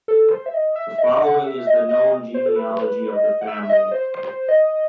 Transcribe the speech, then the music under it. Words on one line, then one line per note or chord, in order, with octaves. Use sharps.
The following is the known genealogy of the family.
A4
C5
E5
D#5
E5
D#5
F#5
E5
D#5
D#5
C5
A4
B4
B4
D#5
F#5
E5
D#5
C5
C5
D#5